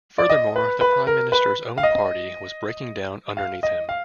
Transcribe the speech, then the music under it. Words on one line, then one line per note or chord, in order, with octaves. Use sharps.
Furthermore, the Prime Minister's own party was breaking down underneath him.
D5
D#5
B4
B4
A#4
B4
F5
D#5
F5
D#5
F5